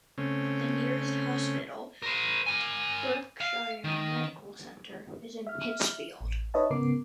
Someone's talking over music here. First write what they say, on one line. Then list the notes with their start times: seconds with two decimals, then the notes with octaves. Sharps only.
The nearest hospital, Berkshire Medical Center, is in Pittsfield.
0.18 C#3 A3 C4 C#4
2.02 A#4 C5
2.46 A#4 G#5
3.41 F5
3.84 D#3
5.47 E5 F6
6.21 A1
6.54 D#4 B4 C#5 D#5 E5 A5
6.70 G#2 C#3 B3 A#4 D6 C7